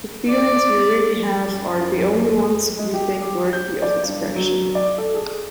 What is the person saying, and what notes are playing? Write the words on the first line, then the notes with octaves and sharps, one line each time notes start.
The feelings we really have are the only ones we think worthy of expression.
D5
F#2
G#3
G4
D6
G6
D5
G2
F#3
D5
A4
G#4